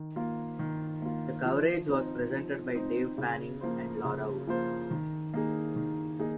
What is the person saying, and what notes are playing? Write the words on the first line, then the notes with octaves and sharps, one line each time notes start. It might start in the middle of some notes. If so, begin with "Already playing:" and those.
The coverage was presented by Dave Fanning and Laura Woods.
Already playing: D#3
A#3 F4
D#3
A#3 F4
F3
C4 D#4
F3
C4 D#4
C#3
F3 A#3 F4 C5
C#3
F3 A#3 F4 C5
D#3
A#3 D#4 G#4
D#3
A#3 D#4 G#4